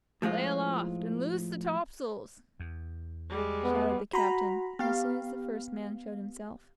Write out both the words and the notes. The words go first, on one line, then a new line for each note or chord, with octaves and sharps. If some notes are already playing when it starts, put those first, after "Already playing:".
"Lay aloft and loose the topsails!" shouted the captain, as soon as the first man showed himself.
A2 F3 G#3 F4
E2
G3 G#3
B3
F#4 F#5 A#5 B5
B3 G4 F5